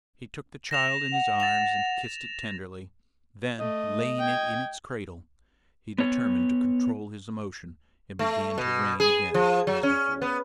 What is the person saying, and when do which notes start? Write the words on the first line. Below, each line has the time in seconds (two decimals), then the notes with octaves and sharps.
He took the child in his arms and kissed it tenderly; then laying it in its cradle, he determined to control his emotion and began to reign again as before.
0.71 A#6 E7 F7
1.13 F#5
1.40 A6 E7 F7
3.60 A3 D#5
4.19 G5 G#6
5.98 B3 C#5
8.19 A3
8.58 B2
9.00 G#4
9.34 F3
9.67 F#3
9.83 C#4
10.22 B3